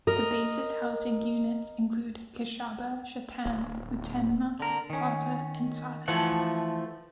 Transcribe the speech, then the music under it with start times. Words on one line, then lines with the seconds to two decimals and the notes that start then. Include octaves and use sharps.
The base's housing units include Kishaba, Chatan, Futenma, Plaza and Sada.
0.07 A#4 D#5
3.45 D1
4.60 D3 A#4
4.90 D#3 C#4
6.08 E3 F3 A3 F#5